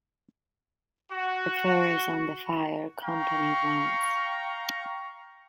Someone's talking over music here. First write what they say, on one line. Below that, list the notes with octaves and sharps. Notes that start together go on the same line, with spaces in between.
The fair is on the Fire Company grounds.
F#4
F5 G5 A#5 C#6